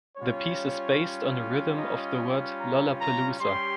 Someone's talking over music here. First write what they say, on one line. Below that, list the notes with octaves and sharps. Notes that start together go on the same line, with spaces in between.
The piece is based on the rhythm of the word 'Lollapalooza'.
G3 C#4 F4 C#5
D#5
A#5
A#5
G3 C#4 G4 C6